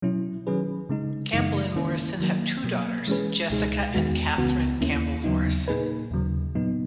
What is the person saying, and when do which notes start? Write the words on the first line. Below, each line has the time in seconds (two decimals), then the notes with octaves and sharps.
Campbell and Morrison have two daughters, Jessica and Catherine Campbell-Morrison.
0.02 B2 F#3 C#4 E4
0.47 D#3 F#3 C#4 G#4 B4
0.89 C#3 G#3 D#4
1.33 F#2 C#3 E3 G#3 D#4
1.76 D#3 A#3 C#4 E4
2.20 D#3 F#3 A#3
2.64 B2 F#3 A#3
3.07 E3 G#3 C#4 G#4 B4
3.50 C#2 B2 G#3 D#4 G#4
3.94 E2 D#3 G#3 B3 F#4
4.37 C#2 C#3 E3 B3 F#4
4.81 D#2 D#3 A#3 C#4 E4
5.24 D#2 C#3 F#3 B3 D#4
5.68 A#2 A#3 D#4 G#4 B4
6.11 D#2 C#3 F#3
6.55 A#2 F#3 B3 D#4